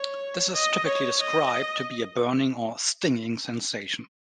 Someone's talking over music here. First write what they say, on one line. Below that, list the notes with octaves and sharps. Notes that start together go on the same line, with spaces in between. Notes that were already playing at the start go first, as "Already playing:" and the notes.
This is typically described to be a burning or stinging sensation.
Already playing: C#5
D#5
C#5
D#5